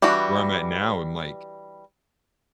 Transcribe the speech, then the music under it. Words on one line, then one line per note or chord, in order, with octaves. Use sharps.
where I'm at now and, like,
E3 G3 D4 F#4